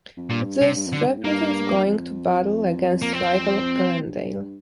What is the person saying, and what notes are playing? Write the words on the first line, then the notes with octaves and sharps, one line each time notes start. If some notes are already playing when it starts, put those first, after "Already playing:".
This represents going to battle against rival Glendale.
F2
G2 A#2
C3
G2
F2
D3
G2
A2
G2 A#3
F2
G2
F2
A#3
C4
A2
G2